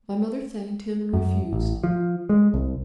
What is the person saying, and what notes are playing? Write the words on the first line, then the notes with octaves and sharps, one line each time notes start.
My mother thanked him and refused.
F#2
A1
F3
G#3
C2